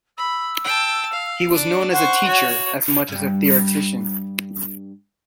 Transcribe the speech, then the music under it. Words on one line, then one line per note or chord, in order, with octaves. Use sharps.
He was known as a teacher as much as a theoretician.
B5 E6
G5 A5
F5
D4 D5
C5 F#5 C#6
F#4 C#5
G2 G3